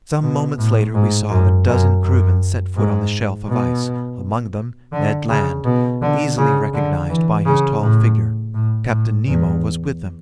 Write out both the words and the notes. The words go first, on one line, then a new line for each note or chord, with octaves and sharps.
Some moments later, we saw a dozen crewmen set foot on the shelf of ice, among them Ned Land, easily recognized by his tall figure. Captain Nemo was with them.
B2
A2
G#2
F#2
F#2
F#2
G#2
B2
D3
C#3
B2
D3
C#3
D3
E3
C#3
A2
A2
A2
E2